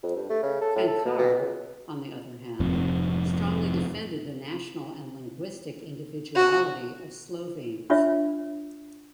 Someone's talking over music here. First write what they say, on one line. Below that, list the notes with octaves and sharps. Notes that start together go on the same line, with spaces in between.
Cankar, on the other hand, strongly defended the national and linguistic individuality of Slovenes.
F2
G2
A3
C#3
A4
A2
A4
B2
B2
C#2
F1 F2 G#2 C3
F#4
D4 F4 C#5 E5